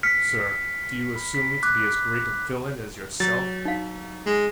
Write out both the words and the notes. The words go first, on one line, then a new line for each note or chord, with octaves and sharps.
"Sir, do you assume me to be as great a villain as yourself?"
F6 B6 C#7
B5
B6
D6 F#6 B6
F#3 A6
D#4 F5
G#3